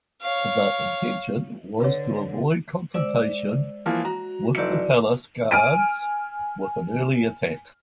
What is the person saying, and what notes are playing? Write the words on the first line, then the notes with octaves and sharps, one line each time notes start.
The intention was to avoid confrontation with the palace guards with an early attack.
C#5 F5
D3 B4 C#5
G#3 C5 D5 E5
E3 F3 A#3
F#4 A#5
F1 F#3 E4 D5 E5 G6 C#7
G#5 F6 D7 D#7